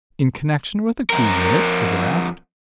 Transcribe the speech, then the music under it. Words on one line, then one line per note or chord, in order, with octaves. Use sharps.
"In connection with the key unit?" Trigger asked.
F2 A#4